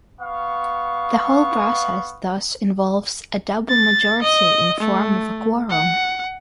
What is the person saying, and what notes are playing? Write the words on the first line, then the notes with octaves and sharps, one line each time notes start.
The whole process thus involves a double majority in form of a quorum.
B3 F5 C#6
A6
D#5
A3
F#5